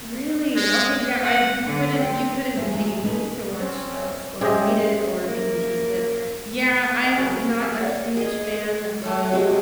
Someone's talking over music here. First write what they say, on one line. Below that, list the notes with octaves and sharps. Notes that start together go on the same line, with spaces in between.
Really? Okay. Yeah, I you couldn't you couldn't pay me to watch those, or read it, or be interested. Yeah, I'm not a huge fan of
G#3
F#5
D3
C4
A3 F4 G#4
E2 E3 G#3 A3 F4 E5
B2 G#3 C#4 D#4 A4 B4
C4 C#4
G#3 C#4 G4 C5 D#5 E5
A#3
C4 D#4 F#5
C#3 F#3 A#3
C4
A3 G#4 E5
C#5 D5 F#5
G#4 D#5
A3 C#5
C3 F#3 G#3